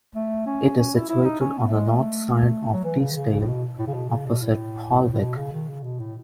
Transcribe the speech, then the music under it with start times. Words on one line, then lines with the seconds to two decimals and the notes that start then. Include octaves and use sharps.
It is situated on the north side of Teesdale, opposite Holwick.
0.15 A3
0.47 C#4
0.78 C#4
0.95 E4
1.10 E4
1.25 D#4
1.41 C#4
1.58 B3
1.68 A3
1.73 G#3
1.89 A3
2.74 F#3
2.84 E3
2.99 C#3
3.12 D#3
3.16 C#3
3.32 C#3
3.40 A2
3.47 B2
3.79 A2
3.87 C#3
3.94 B2
4.10 C#3
4.27 B2
4.42 A2
5.13 A2
5.21 B2
5.37 C#3
5.53 D#3
5.69 C#3
5.84 B2
6.00 A2